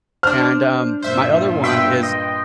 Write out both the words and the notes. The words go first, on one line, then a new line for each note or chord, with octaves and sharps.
and, um, my other one is
D4 C5 F6
G2 A#2 C5 E5
B4 E5 G5 C6
D#5